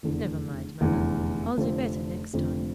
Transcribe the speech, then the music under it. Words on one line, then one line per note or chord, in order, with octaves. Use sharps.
'Never mind, Mother; I'll do better next time.'
F1 E2 D3
F1 E2 D3
F1 F2 D3 F3 C4
F1 F2 D3 F3 C4